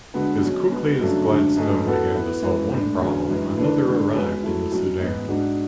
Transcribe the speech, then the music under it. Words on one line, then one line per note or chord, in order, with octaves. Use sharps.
As quickly as Gladstone began to solve one problem another arrived in the Sudan.
D3 G#3 B3 F#4 B4
B2 F#3 C#4
B2 G#3 B3
F#2 C#3 F#3 A3 D4
F#2 D3 G#3 D4
G#2 F#3 A3 C#4 G#4
E3 B3 F#4 A4
E3 B3 E4
F#2 E3 G#3
A2 G#3 D4
E2 D3 F#3 C#4 G#4
F#2 E3 G#3
E3 A3 D4
D3 G#3 D4 G#4
B2 G#3 C#4 G#4 B4
F#3 A3 E4
B2 F#3 C#4
G#2 G#3 B3
G#2 G#3 D4 F#4